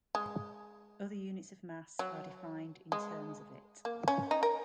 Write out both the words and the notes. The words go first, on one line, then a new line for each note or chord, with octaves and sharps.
Other units of mass are defined in terms of it.
G#3
F#3
G#3
A#3
C#4
D#4
A#4